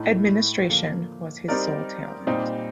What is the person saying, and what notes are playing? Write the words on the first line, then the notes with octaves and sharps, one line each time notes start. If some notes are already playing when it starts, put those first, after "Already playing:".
Administration was his sole talent.
Already playing: A2 A3 D#4
D3 F3 A#3
G3 C4 D#4 A#4 D5
A#2 G3 C4 D#4 G4